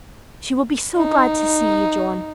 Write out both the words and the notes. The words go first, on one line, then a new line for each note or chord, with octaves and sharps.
She will be so glad to see you, John!
D#4